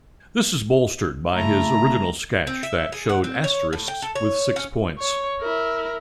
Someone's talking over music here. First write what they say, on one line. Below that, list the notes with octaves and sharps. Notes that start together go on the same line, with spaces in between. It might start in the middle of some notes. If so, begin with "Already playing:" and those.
This is bolstered by his original sketch that showed asterisks with six points.
C#3 A3 A#3 E4 A#5
C4
E5
G#4
F#5
C4
C#5
A2
G5
A4
C#5
C#4
C#5
E4 A#4